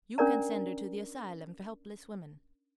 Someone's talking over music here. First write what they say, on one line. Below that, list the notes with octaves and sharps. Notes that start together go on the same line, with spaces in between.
You can send her to the asylum for helpless women.
C#4 D4 A#4 D5 A#5